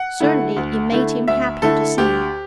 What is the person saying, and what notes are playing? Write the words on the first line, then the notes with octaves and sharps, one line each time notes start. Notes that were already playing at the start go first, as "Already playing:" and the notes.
Certainly it made him happy to sing.
Already playing: F#5
D3 A3 E4
D2
D3 A3 E4
D2 E5
D3 A3 E4 A4
D2 G4